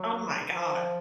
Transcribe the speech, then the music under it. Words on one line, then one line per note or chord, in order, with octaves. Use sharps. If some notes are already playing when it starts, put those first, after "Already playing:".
oh my god.
Already playing: F#3
F3